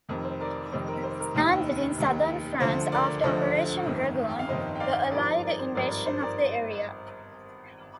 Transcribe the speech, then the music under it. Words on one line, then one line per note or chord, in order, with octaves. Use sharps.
It landed in southern France after Operation Dragoon, the Allied invasion of the area.
F1 F2 D#3 A#4
C5
A#4 D5
F1 F2 D#3 C5
A#4
C5
A#4
F1 D#2 D#3
F1 D#2 D#3
D2 D3 F3 C5
A#4 D5
D2 D3 F3 C5 D#5
G1 F2 D#3
G5
F5
G1 F2 D#3 C5 D#5
G5
D5 F5
G#1 G2 F3 A#4 D5
A#4 D5
C5
G#1 G2 F3 A#4 D5
A#4 D5
C5
A#4 D5